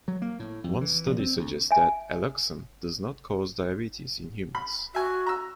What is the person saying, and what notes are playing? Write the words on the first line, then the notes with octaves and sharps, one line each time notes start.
One study suggests that alloxan does not cause diabetes in humans.
F#3
A#3
A2
F2
E3
A#1
C4
D2
E5 G#5
B5
F#4 E5 G#5
A#5 E6